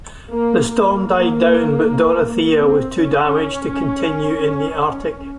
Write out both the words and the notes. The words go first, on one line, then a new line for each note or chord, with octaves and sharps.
The storm died down but "Dorothea" was too damaged to continue in the Arctic.
A#3
A#3
C4
C#4